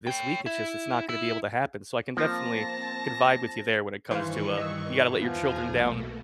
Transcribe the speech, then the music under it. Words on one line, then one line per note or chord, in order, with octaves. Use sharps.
this week, it's just it's not gonna be able to happen." So I can definitely I can vibe with you there when it comes to, uh, you gotta let your children down
C#5 G5
E4
E4
F3 A#3 C4 A5 A#6
G2 D#3 E3 C5 F5 C#6
D#5 E6
E2 F3 B3 G#5 A#5
B1 B2 A3 A#3